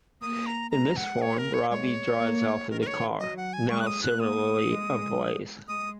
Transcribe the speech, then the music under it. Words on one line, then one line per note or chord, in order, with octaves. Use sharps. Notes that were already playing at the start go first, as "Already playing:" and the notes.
In this form, Robbie drives off in the car, now similarly ablaze.
A#3 D#6
A#5
G#3 A#5
F#5
C#5
A#4
C#5
G#3 C#5
A#3
D#3 A#4
A#4
C#5
F#3 D#5
F#5
G#5
G#3 C#6
F#6
D#6
F#6
A#3 D#6
G#3
G#3 D#6